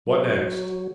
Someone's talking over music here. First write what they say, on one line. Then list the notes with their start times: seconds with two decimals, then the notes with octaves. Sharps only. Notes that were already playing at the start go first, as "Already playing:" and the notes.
"What next?"
0.07 F#3